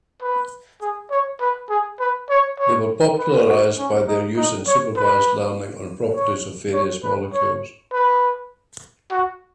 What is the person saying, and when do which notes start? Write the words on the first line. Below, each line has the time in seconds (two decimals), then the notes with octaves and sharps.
They were popularized by their use in supervised learning on properties of various molecules.
0.22 B4
0.82 G#4
1.11 C#5
1.40 B4
1.70 G#4
2.00 B4
2.30 C#5
2.59 C#5
3.19 B4
3.48 F#4
3.78 C#4
4.08 D#4
4.37 D#4
4.67 C#5
4.96 B4
6.15 C#5
6.73 C#5
7.03 B4
7.33 C#5
7.93 B4
9.11 F#4